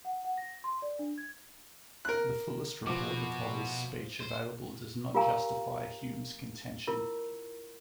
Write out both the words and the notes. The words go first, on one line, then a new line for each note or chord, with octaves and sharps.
The fullest report of Hovell's speech available does not justify Hume's contention.
F#5
F#5
A#6
C6
D5
D4
G#6
A#4 F#6
B2 F3 F#4 D6
C5
F4 G4 A#4 F5 G#5 A#5
E4 F4 A#4